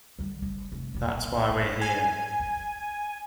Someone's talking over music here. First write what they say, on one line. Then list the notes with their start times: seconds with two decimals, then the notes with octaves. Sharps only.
That's why we're here.
0.19 D3 G3
0.42 G1
0.72 F1
0.94 E1 D#4
1.14 B1
1.50 F#1
1.81 G#5